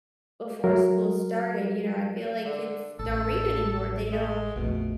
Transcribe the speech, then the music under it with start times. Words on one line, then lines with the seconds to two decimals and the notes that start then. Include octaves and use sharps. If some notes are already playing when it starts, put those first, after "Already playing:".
before school started, you know, I feel like kids don't read anymore, they don't
0.64 F#3 A#4
2.45 D3
2.99 A1 A4
4.12 G#3
4.56 A#1 F2 B2 A3